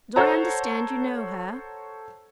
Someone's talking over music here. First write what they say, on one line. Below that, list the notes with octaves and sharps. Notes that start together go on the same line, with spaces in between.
"Do I understand you know her?"
A4 C5 C#5 F#5 A5 A#5